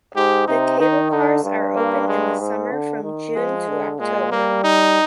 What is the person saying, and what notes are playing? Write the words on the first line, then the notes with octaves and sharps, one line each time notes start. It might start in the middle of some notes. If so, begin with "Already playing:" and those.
The cable cars are open in the summer from June to October.
G#2 G4
C3 D#4
D#3 D#4
D3 D#4
G2
A#3
G#3
G#2
D3
D#3
F3 G#3
D3
A#2 G#3
G3 A#3
D#4